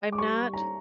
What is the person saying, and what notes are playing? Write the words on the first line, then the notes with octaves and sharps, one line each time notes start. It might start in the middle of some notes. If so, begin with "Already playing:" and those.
I'm not
D6
G3 C#6
G3
A#5